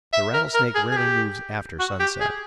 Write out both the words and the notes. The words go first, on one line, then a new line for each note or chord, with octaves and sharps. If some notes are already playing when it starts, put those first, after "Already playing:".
The rattlesnake rarely moves after sunset.
E5
A#4
A#4
G#4
G#4
G4
F#4
G4
G#4